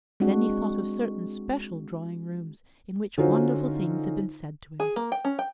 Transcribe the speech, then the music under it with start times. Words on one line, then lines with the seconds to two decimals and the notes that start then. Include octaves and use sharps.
Then he thought of certain special drawing-rooms in which wonderful things had been said to him.
0.20 G#3 C4 D4 F#4
3.18 D3 C#4 D#4 F4 F#4 C5
4.80 G#4
4.96 A#3
5.12 G5
5.25 C#4
5.39 G5